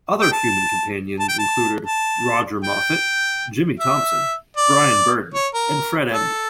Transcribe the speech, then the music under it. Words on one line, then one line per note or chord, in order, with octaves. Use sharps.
Other human companions included Roger Moffat, Jimmy Thompson, Bryan Burdon and Fred Emney.
G5
A5
A5
G5
A5
A5
G5
E5
D5
C#5
A#4
A4